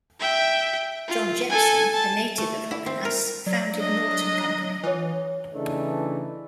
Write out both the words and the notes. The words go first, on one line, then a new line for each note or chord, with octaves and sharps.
John Jeppson, a native of Hoganas, founded Norton Company.
E5 G5
F4
A4 G#5
A5
A3
E4
C4
A#4
F#3 D5
D4 D#5
A#5
E3 F4 C#5
C#3 E3 A3 D4 D#4